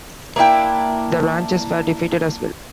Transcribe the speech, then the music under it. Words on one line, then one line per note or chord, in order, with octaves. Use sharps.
The ranchers were defeated as well.
A#3 D4 E4 G5